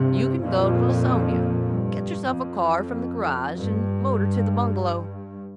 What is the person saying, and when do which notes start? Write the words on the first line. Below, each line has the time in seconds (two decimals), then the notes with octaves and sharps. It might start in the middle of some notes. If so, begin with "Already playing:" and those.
You can go to Laconia, get yourself a car from the garage, and motor to the Bungalow.
Already playing: G2 C3
0.39 F2 A#2
1.66 G2
2.28 F2
3.54 G2